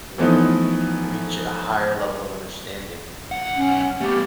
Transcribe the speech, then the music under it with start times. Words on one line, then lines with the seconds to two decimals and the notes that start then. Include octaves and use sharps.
you know, reach a higher level of understanding
0.18 E3 F3 A3 B3 D#4
3.32 B1 F#5
3.56 C#4
4.01 A3 B3 G4